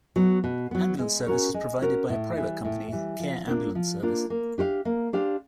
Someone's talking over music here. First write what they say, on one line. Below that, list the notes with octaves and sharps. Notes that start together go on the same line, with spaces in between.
Ambulance service is provided by a private company, Care Ambulance Service.
F#3 B3
B2
F#3 B3
G#3
C#4 F#4 A#4 C#5
G#3
C#4 F#4 A#4 C#5
A2
E3 G3
A2
E3 G3
F3
A#3 D4 F4
F3
A#3 D4 F4
A#3
D4 G4 C5 F5
A#3
D4 G4 C5 F5